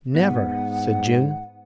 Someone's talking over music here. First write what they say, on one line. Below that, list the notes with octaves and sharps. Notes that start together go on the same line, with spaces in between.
"Never," said June.
G#2 B3 F#5